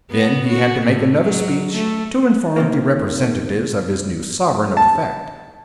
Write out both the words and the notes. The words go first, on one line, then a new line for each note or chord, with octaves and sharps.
Then he had to make another speech, to inform the representatives of his new sovereign of the fact.
B3
F#4
A2
F#3
A3
C3 D#3 A#3
A5